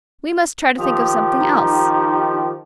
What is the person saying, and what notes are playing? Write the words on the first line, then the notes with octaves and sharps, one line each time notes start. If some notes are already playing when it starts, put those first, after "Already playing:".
"We must try to think of something else."
D#3 F3 G4 F5 D#6
D#4 A#5